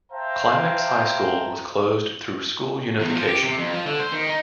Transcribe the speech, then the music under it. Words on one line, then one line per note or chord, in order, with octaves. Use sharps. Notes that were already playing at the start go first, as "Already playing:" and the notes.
Climax High School was closed through school unification.
C5 E5 F5 G5 A5 A#5
E2
F3
G4
C3
F2
F3
D3
C5
D#3
D#4